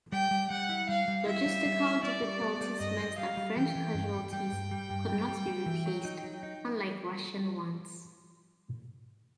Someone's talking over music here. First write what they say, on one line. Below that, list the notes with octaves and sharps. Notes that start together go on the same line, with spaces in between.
Logistical difficulties meant that French casualties could not be replaced, unlike Russian ones.
G3 G5
G3
G3 F#5
E4
G3 F5
G3
E4 E5
G3
G3
E4
G3 D5
G3
B3
G3
G2 D#5
G3
G3 F5
G3
E3 G5
E3
G2
G3
G3 G5
G2
G3
G2
G3
G3
G3
E3
F#3
D#4
F#3
D#4